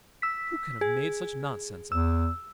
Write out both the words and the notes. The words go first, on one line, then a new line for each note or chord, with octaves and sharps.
"Who can have made such nonsense of it?"
E6 B6
G#4
E2 E6